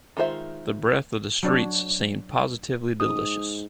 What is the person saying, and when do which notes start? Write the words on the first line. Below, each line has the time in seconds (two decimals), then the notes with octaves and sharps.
The breath of the streets seemed positively delicious.
0.17 D#3 G#3 F4 C5 E5
1.43 F#3 D4 C#5
3.00 G#2 D#6